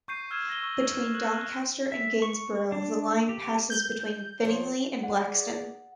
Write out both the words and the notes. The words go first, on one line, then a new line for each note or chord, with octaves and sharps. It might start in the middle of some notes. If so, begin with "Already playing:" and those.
Between Doncaster and Gainsborough the line passes between Finningley and Blaxton.
C#6 G6 C7 D#7
E6 F6 G#6 C7 E7
G6 A#6 G7
C#6 E6
C#6 F#6 F#7
E5
C#6
D4
G4
G6
F3 C5 C#5
G#4 D5 F#5